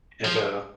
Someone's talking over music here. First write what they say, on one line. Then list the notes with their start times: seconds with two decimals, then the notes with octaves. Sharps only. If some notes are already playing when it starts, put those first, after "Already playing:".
and, uh,
0.25 F3